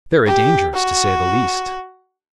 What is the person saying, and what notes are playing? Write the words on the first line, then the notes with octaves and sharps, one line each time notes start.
"Very dangerous, to say the least."
G4
F#4